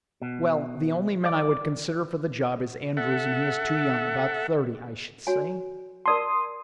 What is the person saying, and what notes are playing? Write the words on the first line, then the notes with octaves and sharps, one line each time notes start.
"Well, the only man I would consider for the job is Andrews and he is too young--about thirty, I should say."
B2
D5
A4 E5 F#5
F#4 C#5 G#5
A#4 D5 A5 C6 D#6